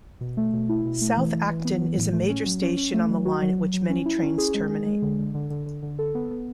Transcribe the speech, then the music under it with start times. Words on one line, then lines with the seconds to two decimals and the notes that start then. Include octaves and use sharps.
South Acton is a major station on the line at which many trains terminate.
0.21 B2
0.37 A3
0.53 B2
0.69 E4
0.85 B2
1.01 A3
1.17 E3
1.33 E3
1.49 E3
1.65 B3
1.81 E3
1.97 A2
2.13 A3
2.29 C#4
2.46 F#3
2.62 C#4
2.77 C#4
2.94 A3
3.10 F#3
3.25 F#4
3.42 F#3
3.57 F#3
3.74 F#3
3.90 C#4
4.06 E4
4.22 C#4
4.38 G#4
4.54 G#3
4.70 G#4
4.86 G#3
5.02 D3
5.19 D3
5.34 D3
5.50 D3
5.66 D3
5.82 D3
5.99 A4
6.15 B3
6.31 B3